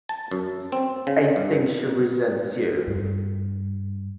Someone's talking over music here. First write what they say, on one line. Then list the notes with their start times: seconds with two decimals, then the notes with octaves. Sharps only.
I think she resents you.
0.09 A5
0.31 F#2
0.72 C4
1.07 C#3
1.36 G2
2.87 G2